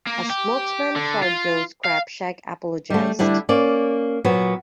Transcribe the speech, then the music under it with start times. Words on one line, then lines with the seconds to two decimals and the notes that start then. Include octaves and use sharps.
A spokesman for Joe's Crab Shack apologized.
0.07 A#3
0.30 G4
0.96 D3
1.22 F4
1.85 F5
2.90 G3 A3
3.19 D3 G3 D4 E4
3.49 A#3 C#4 D5
4.24 A#2 F#3 B3